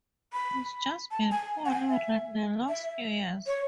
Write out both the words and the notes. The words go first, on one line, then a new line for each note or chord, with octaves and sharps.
It's just been poorly run the last few years...
B5
A5
G#5
F#5
G#5
E5
E5
C#5